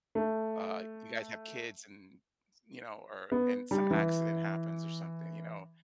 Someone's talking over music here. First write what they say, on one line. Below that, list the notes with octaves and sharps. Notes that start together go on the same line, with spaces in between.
uh, you guys have kids, and, s you know, or and some accident happens, or something, you know.
A3
B3
G3
E3